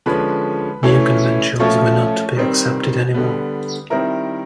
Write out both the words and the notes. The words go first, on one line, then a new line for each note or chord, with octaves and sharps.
New conventuals were not to be accepted anymore.
D3 F3 G#3 C#4 B4 B5
E3 A3 C#4 E4
F3 A3 C#4 F4 C#5 C#6
D#3 G3 C4
D3 G3 B3
D#3 G3 C4 E4 A#4 A#5